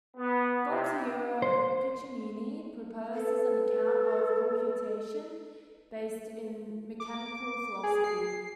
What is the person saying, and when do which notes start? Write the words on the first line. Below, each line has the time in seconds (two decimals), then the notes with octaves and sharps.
Gualtiero Piccinini proposes an account of computation based in mechanical philosophy.
0.17 B3
0.67 C3
1.42 C5
3.14 A4 B4
7.00 D6
7.83 G#4
8.04 C7